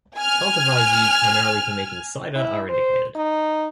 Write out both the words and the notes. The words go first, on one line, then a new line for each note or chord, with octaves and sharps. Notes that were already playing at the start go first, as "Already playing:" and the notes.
Cultivars used primarily for making cider are indicated.
G#5 F6
E4
C5
D#4